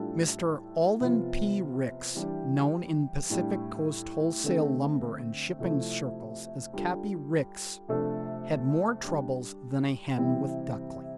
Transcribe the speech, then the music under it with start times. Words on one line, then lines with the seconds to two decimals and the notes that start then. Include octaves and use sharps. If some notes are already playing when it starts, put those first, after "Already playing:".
Mr. Alden P. Ricks, known in Pacific Coast wholesale lumber and shipping circles as Cappy Ricks, had more troubles than a hen with ducklings.
Already playing: A2 G3 D4 F4 A4
1.00 C3 F3 B3 F4
2.15 E3 G3 D4 G4
3.30 A2 G3 D4
4.44 D3 A3 C4
5.59 C3 F3 A3 E4
6.73 G3 D4 F4 A4
7.88 C3 F3 A3 D4 A4
9.03 G3 D4 G4
10.17 C3 E3 G3 C4 E4